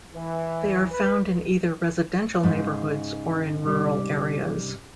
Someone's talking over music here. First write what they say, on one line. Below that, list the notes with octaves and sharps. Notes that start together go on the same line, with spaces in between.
They are found in either residential neighborhoods or in rural areas.
E3
B4
G#2 C#3
C2 G3